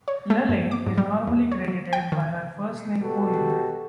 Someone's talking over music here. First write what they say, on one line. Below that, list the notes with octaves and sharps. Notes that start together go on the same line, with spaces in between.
Lalaine is normally credited by her first name only.
C#5
A3
G2
D6
G#2
G3
E2
C#5
F#3
G5
D#3
B2 F#4 G4 A4